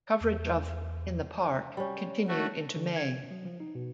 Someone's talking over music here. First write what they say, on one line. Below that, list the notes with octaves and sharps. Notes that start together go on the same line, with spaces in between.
Coverage of "In the Park" continued into May.
E2
G3 C#4
A3 F#4
D3
G#6
F#3
F3
D#4
B2